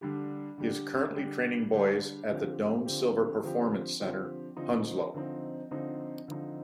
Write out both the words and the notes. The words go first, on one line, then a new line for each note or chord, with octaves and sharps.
He is currently training boys at the Dome Silver Performance centre, Hounslow.
D3 G3 D4 G4
D3 G3 D4 G4
D3 G3 D4 G4
D3 G3 D4 G4
D3 F3 C4 G4
D3 F3 C4 G4
D3 F3 C4 G4
D3 F3 C4 G4
D3 F3 C4 D#4
D3 F3 C4 D#4
D3 F3 C4 D#4
D3 F3 C4 D#4